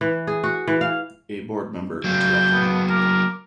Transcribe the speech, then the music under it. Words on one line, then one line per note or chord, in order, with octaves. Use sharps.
A board member interrupted him.
E3
G#4
F#4
E3
F5
F#3 A#3 G6
B3
A#4 D6